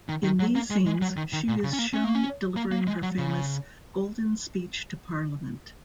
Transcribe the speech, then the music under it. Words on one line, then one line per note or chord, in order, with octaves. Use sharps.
In these scenes, she is shown delivering her famous Golden Speech to Parliament.
D#3
D#3
F#3
A#3
G#3
G#3
F#3
D#3
D#3
A#2
C#3
C#4
A#3
C#4
A#3
C#4
A#3
A#3
G#3
F#3
C#3